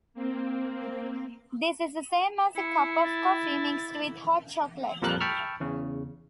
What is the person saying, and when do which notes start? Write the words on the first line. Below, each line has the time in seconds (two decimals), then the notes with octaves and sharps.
This is the same as a cup of coffee mixed with hot chocolate.
0.14 A#3 C4
2.56 E4 C#7
3.04 A6
5.02 F2 A#2 F3 G3 A#4 F#6
5.21 G5 A5 B5 C#6 E6 F6
5.60 E2 C#3